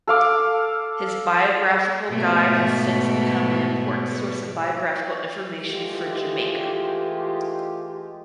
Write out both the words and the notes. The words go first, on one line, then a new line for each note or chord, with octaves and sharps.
His biographical guide has since become an important source of biographical information for Jamaica.
A4 F5 D6
G#2 B2 A3
E3 G#3 A3 F4 G4